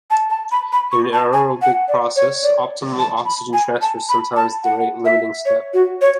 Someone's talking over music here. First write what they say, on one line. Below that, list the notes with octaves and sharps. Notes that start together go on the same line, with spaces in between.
In an aerobic process, optimal oxygen transfer is sometimes the rate limiting step.
A5
A5
B5
B5
C#6
A5
G#5
F#5
D5
C#5
D5
A5
B5
G#5
A5
B5
A5
F#5
E5
C#5
F#4
C#5